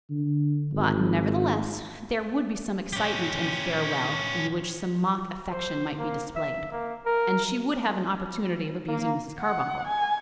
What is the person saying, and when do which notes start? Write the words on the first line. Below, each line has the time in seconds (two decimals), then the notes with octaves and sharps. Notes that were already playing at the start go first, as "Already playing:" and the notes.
But, nevertheless, there would be some excitement in a farewell in which some mock affection might be displayed, and she would have an opportunity of abusing Mrs. Carbuncle.
0.10 D3
0.73 G#1
2.93 C#4 G4
5.52 C5
5.99 A#3
6.36 E5
6.72 A#3
7.06 A#4
8.89 A#3
9.39 F#5
9.87 G#5